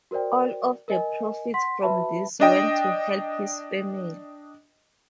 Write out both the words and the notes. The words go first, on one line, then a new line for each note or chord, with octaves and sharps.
All of the profits from this went to help his family.
F#4 A#4 C5 D5 G5
A#4 D#5 G#5
F#5 C6 B6
F#4 B4 E5 A5 B5
D4 D#5 G5